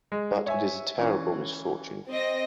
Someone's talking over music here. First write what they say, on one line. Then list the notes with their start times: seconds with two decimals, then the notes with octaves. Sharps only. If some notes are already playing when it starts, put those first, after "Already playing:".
But it is a terrible misfortune.
0.12 G#3
0.46 C#5 E5 G#5
0.98 E3 C#4
2.09 C4 D#5 A#6